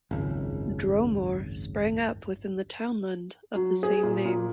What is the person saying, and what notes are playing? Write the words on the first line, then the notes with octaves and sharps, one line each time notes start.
Dromore sprang up within the townland of the same name.
G#1 C#2 F#2
F#3
G#4
A#2
A#2